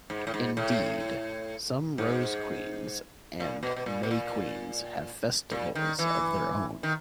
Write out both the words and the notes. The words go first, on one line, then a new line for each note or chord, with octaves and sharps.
Indeed, some Rose Queens and May Queens have festivals of their own.
G#2
A2
G#2
A2
G#2
A#2
B2
B2
A#2
B2
A#2
A#2
D#3
E3
D#3